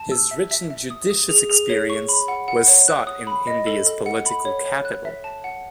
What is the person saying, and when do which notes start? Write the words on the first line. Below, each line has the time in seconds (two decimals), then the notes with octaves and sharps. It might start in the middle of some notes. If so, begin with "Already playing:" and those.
His rich and judicious experience was sought in India's political capital.
Already playing: A5
0.11 E6
0.31 E5
0.51 E5
0.70 E5
0.90 D#6
1.10 D#6
1.29 G#4
1.50 G#4
1.70 C#5
1.90 C#6
2.09 B5
2.28 F#5
2.48 F#5
2.68 C#5
2.88 F#6
3.07 D#6
3.27 B5
3.47 D#5
3.67 A4
3.86 A4
4.06 F#5
4.26 B5
4.45 C#5
4.65 C#5
4.85 F#6
5.05 E5
5.24 A5
5.44 F#5